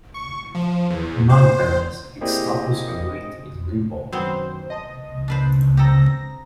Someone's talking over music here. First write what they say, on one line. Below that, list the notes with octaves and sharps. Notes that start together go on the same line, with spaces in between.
Nonetheless, its status remained in limbo.
C#6
F3
E2
C5
A#3 C4 E4 G4 G#4 D5 D#5
F#2 D#3 B3 C4 C5
D#5 A5 C6
D4 B4 C5
C4 G4 A4 A#5 D#6 A#6